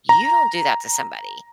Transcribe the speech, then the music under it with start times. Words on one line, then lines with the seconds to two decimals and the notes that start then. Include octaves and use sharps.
you don't do that to somebody.
0.09 A#5